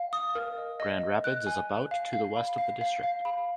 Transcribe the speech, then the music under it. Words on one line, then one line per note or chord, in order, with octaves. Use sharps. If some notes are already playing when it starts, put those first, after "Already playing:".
Grand Rapids is about to the west of the district.
Already playing: F5
D#6
A#4
D#5
D#5
D#5
F#6
G#5
F#6
F5
F5
B5
F5
F5
F5
B5